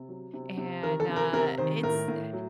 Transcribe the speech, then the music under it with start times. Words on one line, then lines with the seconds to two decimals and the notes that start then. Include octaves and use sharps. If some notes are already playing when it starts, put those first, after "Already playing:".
and, uh, it's eh,
Already playing: C3
0.09 F#3
0.33 C3
0.57 C3
0.82 D#3 A#4
1.00 A4
1.09 C3
1.16 A#4
1.33 C3 A#4
1.58 D#3 C5
1.83 A2 A#4
2.08 A2
2.33 F#3